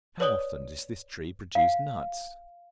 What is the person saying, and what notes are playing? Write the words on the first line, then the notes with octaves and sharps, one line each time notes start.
How often does this tree produce nuts?
B4 C#5 D5 D#6 F#7 G7
F5